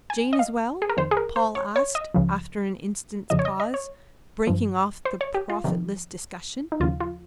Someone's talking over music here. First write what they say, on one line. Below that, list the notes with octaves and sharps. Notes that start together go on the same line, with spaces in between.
"Jane is well?" Paul asked, after an instant's pause, breaking off the profitless discussion.
G#5
D#5
F5
G#4
A#4
F2 D#3 C5
G#4
A#4
C5
C#5
C#5
D#5
C#2 C#3 F3
F2 C#3 F3 D#5
C#5
D#5
D#5
C#5
G2 F3
C5
C#5
G4
F4
F2 C3 D#3
D#4
D#2 C#3 F3 F4
F4